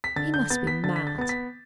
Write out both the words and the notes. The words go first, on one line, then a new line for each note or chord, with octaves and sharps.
"He must be mad."
B6
D3 A6
G6
B3 A6
B6
D3 A6
B6
A6
B3 A6
B6